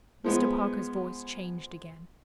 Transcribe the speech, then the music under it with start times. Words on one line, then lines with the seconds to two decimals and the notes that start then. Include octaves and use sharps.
Mr. Parker's voice changed again.
0.24 F3 G#3 B3